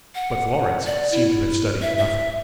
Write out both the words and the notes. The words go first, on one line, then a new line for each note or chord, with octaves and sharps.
But Florence seemed to have studied nothing.
F#5
D5
E4
E5
E5